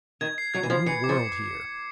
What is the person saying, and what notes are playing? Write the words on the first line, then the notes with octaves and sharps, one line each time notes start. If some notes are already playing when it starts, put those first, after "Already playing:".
A new world here.
D#3 G#6
C7
F#3 G#6
E3
F3 G#6
E3 C#7
D6
F3